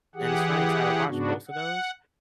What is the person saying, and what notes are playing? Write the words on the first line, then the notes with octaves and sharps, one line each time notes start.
And it's funny 'cause I watched both of those,
E3 G4 G#4 F#5
G#2 C#3 B3 D4 F#4
F#5